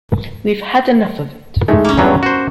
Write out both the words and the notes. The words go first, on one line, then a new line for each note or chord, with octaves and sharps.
We've had enough of it.
G#3 A3 D#4
A#3 C#4
E2 G2 F#3 A#5
F#4 C5